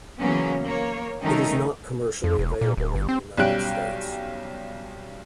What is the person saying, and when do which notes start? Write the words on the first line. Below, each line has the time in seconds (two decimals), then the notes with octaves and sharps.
It is not commercially available in the United States.
0.19 C#3 E3 F#3 A#3 B3 C#4
0.63 A#3 C#5
1.22 D#3 G3 A3 C#4 D#4 A#4
2.24 F2
2.39 E1
2.61 A#2
2.77 D1
2.95 G1
3.09 C4
3.37 B1 G3 C#4 G4 F#6 D7